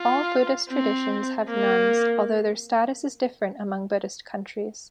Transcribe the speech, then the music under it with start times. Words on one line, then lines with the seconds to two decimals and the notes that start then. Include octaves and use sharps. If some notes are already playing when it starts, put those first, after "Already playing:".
All Buddhist traditions have nuns, although their status is different among Buddhist countries.
Already playing: F4
0.70 C4
1.49 A#3